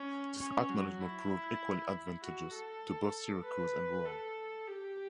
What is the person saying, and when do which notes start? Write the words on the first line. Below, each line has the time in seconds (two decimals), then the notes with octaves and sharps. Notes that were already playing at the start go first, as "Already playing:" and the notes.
This acknowledgment proved equally advantageous to both Syracuse and Rome.
Already playing: C#4
0.39 C#4
0.69 F#3
1.00 E4
2.23 F#4
2.53 A4
3.44 B4
4.06 A4
4.67 G4